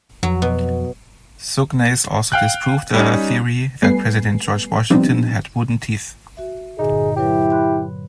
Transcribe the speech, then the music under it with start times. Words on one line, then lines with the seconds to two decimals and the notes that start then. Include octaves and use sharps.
Sognnaes also disproved the theory that President George Washington had wooden teeth.
0.23 F2 F#3
0.42 B2
2.32 F5 G5 F#6
2.94 G3 C#4 D#4
3.82 G3 A3 B3 B4 G#5 C7
4.90 F3 G3 B3 C4 D4 D#4
6.37 F#4 E5
6.79 G2 A#2 D3 D#4 G#4
7.16 F#3 E4 G4 B4 C#5
7.50 B5 C6 F#6